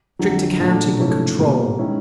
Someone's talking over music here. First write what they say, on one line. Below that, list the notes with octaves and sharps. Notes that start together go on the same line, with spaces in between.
Strict accounting and control!
F2 D3 F#3
A#2 F#3 A3 D4
G#2 F3 A3 C#4 E4
B2 G3 A#3
D#3 G#3 C#4 E4